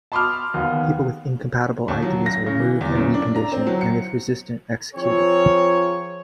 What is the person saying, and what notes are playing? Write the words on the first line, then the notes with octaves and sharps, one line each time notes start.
People with incompatible ideas are removed and reconditioned, and if resistant, executed.
A5 B5 C6 D6 D#6 F6
D#2 B3
D#2
F#3
A#6
C#3
E3
E2
F#2
D4
A#5
C4
F#3
C#7
F3 C4 G#4 A#4 C#5